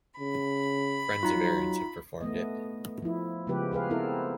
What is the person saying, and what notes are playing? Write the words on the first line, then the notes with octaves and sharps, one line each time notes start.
Friends of Aarons have performed it.
C#3 B5
F#3 D#4 F4
A3 B3 D#5
F3 E4
C#3 F3 G#3 B3 G4 B4
G4 G#4 B4 F5
B3 C4 E4 A4 A#4